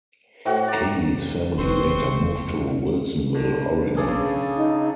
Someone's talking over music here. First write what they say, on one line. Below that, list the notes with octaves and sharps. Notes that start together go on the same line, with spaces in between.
Cady's family later moved to Wilsonville, Oregon.
A2 F#4 C5 E5 G5
D5 A#5
F1 C4 B4 C6 C#6
D3
C#3 G#4 A4 D5
D#4